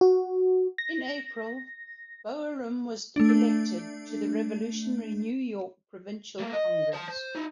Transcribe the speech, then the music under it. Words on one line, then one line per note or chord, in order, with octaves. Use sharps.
In April, Boerum was elected to the revolutionary New York Provincial Congress.
F#4
A#6
A3 D4
A3 A#3
D#5
C5 A5
C5
D#4 E4